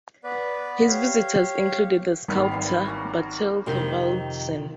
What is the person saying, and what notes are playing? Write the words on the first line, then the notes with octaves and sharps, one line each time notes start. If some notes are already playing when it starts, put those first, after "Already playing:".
His visitors included the sculptor Bertel Thorvaldsen.
B3 B4 D5
G4 C#5 F5
G#1 D#3 F5 B5
E3 G3
A#3 C#4 F#4
F2 C3 D#3